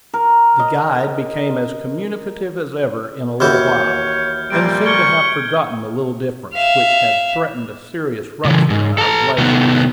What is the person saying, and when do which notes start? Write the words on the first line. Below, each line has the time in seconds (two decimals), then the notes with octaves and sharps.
The guide became as communicative as ever in a little while, and seemed to have forgotten the little difference which had threatened a serious rupture in our relations.
0.14 A#4
0.59 D#5
3.40 D#2 E3 F#4 C#5 F6 G6
4.50 F2 A#2 G3 C4 D7
4.86 C#6 F6 G#6 G7
6.53 E5 F5
8.45 A2 C#3 E3
8.70 G#2
8.98 A4 A#5
9.38 C3 D#3 A3 B3